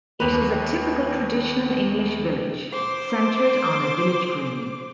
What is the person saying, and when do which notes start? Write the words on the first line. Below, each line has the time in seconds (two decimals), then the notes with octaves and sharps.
It is a typical traditional English village, centred on a village green.
0.20 D#2 B4
2.72 C5 D6